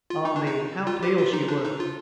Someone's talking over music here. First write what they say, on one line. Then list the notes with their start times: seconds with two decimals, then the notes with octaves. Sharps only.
Ah me, how pale she looked!
0.10 F4
0.25 D#4
0.36 D4
0.46 D#4
0.87 F4
1.03 G4
1.18 F4
1.33 D#4
1.48 D4
1.64 D#4
1.80 F4